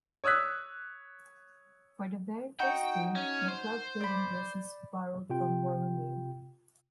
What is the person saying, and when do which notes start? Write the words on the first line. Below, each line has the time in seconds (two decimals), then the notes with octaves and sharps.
For the very first game the club played in jerseys borrowed from Boroughmuir.
0.24 C#5 D#6 E6 F#6 B6
2.59 D#4 F#4 G5
3.16 C#4
3.49 C5
4.01 D5 B5
5.30 C3 F4 G5